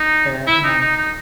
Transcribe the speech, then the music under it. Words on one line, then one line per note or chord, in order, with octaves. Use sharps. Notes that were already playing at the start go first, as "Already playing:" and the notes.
it, and then,
Already playing: D#4
E4
D#4
D#4
D#4